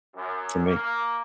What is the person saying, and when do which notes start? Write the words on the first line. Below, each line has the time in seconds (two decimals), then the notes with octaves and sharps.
for me.
0.15 F#2
0.66 A#3